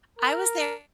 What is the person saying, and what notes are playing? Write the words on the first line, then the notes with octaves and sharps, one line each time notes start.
I was there
A#4